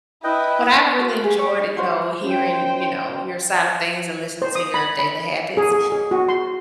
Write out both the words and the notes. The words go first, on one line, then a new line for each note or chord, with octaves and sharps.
But, I really enjoyed, you know, hearing, you know, your side a things, and listening to your daily habits,
E4 B4 D#5 G5
F#4 A#4 C5
G4 G#4
G4 C#5
D#4
F4 F#4 C5 C#5
F#2 C5 G5
C5
D#6
B5
B5
G#4
G#4
G#4
F#4
C6